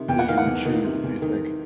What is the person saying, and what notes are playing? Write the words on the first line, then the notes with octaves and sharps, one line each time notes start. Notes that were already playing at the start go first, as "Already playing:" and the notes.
that you would choose, do you think?
Already playing: C3 D#3
E2 G5
F#5
D#3 F5
F#5
E2
D#3
C3
E2
D#3